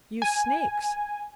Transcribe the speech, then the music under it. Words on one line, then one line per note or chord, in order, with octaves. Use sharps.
You snakes!
G#5